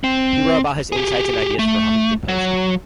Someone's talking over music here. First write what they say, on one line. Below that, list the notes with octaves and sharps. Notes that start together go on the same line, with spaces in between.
He wrote about his insights and ideas for Huffington Post.
C4
G4 G#4
A3
F#3